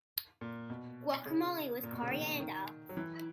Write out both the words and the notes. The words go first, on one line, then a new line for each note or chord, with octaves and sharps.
Guacamole with coriander.
A#2
B2
C#3
A#2
B2
C#3
D#3
D#3
F#3
E3